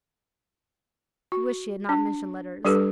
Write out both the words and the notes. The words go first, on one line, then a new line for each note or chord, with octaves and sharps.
He wished she had not mentioned letters.
F#4
D4
G3 D4 G4 A4 B4